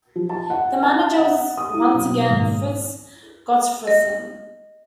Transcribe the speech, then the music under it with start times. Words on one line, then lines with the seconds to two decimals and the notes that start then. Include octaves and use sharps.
The manager was once again Frits Gotfredsen.
0.16 F3
0.29 A5
0.50 F#5
0.83 A5
1.18 F#5
1.57 D#6
1.74 E4
1.94 B1
2.30 G#1
3.87 D#5